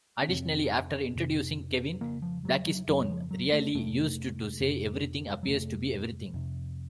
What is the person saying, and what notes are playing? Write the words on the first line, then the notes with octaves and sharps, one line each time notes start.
Additionally, after introducing Kevin Blackistone, Reali used to say Everything appears to be everything.
C#4
F2 C3 C4
F2 C3
F2 C#3 A#3
F3
F#3
F#3
F2 C#3 F#3
F3
F#3
A3
F2 C3 A3
F2 C3
F#3
F2 C3 A3
F2 C3